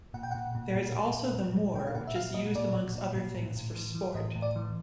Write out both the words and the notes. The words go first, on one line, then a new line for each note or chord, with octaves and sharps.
There is also the Moor which is used amongst other things for sport.
A#2 F#5
G5
A#2 F#5
A#2
A#2
A#2
A#2
A#2
A#2
A#2 G5
F5
A#2 F#5
E5
A#2 F5
A#2 D#5
A#2 D5
A#2
A#2
A#2
A2
A2
E3
E3
A2 D#5
A2
D5
E3